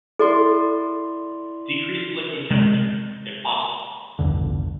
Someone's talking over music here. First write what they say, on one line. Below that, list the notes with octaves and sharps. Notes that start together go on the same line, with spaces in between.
Decrease liquid temperature if possible.
E4 A4 D5 C6
C3 G#3
A#1 E2 G2 D3